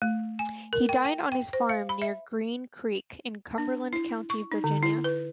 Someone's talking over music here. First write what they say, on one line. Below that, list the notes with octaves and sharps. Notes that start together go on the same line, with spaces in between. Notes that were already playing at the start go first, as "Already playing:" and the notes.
He died on his farm near Green Creek in Cumberland County, Virginia.
A3
G#5
A#4
G5
G5
G5
C5
F5
B5
E5
D4
E4
C#6
D#4
D3
E4
B4